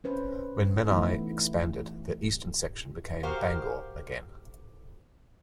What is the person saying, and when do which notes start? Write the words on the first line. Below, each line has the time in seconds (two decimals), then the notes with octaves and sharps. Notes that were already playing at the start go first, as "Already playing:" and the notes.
When Menai expanded, the eastern section became Bangor again.
0.04 C#4 B4 C5
0.88 E3 A3 B3 D#4 E4
3.23 F#4 G4 A#4 C5 F5